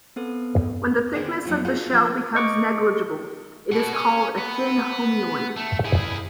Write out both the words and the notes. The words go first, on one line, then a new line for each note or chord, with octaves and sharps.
When the thickness of the shell becomes negligible, it is called a thin homoeoid.
B3 C4 A4 B4
D3 D#3 A3 B3 C4 G#4
F2 F#3 A#3 F4
D4 F4 F#4 G#4
F3 D4 F4 A4
D#5 C#6 D6
B2 F#4
C#4
B3
A3
E4 G#4